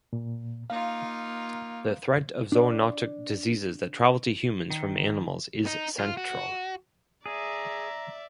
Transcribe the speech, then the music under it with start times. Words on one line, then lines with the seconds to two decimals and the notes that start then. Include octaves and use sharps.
The threat of zoonotic diseases that travel to humans from animals is central.
0.13 A#2
0.70 A#3 D#4 F4 F5
2.52 D4 D5
4.70 D#3
5.66 D#4
5.99 F4
6.17 F#4
7.26 G#4 D5 E5 A#5